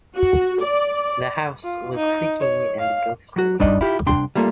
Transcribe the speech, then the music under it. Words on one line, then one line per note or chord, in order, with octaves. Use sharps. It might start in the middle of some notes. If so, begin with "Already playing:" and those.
The house was creaking and ghostly.
F#4
D5
F4
D#4
C#5
F5
F#3 F#4
G2 G3 D4 D#4 D5 D#5
E4 F4 G4
C2 D4 G5 C6
G3 A3 A#3 F4 G4 A4